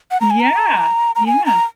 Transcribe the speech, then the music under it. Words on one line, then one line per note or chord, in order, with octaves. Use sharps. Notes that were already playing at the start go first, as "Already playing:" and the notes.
Yeah. Yeah.
F#5
A#5
G#5
A#5
A#5
G#5
A#5